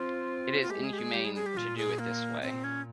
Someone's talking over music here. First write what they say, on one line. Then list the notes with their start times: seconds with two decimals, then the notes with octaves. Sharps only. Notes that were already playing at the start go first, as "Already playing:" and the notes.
It is inhumane to do it this way.
Already playing: C4 F4
0.62 F4
0.70 G#3 G4
0.84 G#4
0.93 G4
0.98 G#4
1.13 G3 G4
1.25 G#4
1.35 G#4
1.46 G4
1.57 A#2 F4
1.78 G#4
1.99 A#3
2.42 A#2 C4
2.64 C#4